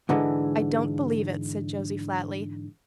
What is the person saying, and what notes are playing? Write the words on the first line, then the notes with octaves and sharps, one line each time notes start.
"I don't believe it," said Josie flatly.
G#2 D3 E3 G#3